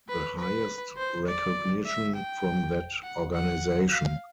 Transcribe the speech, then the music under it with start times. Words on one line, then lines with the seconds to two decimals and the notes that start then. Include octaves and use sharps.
The highest recognition from that organization.
0.09 B4
0.39 B4
0.97 C5
1.27 D5
1.86 E5
2.15 G5
3.03 F#5
3.33 F#5
3.91 F5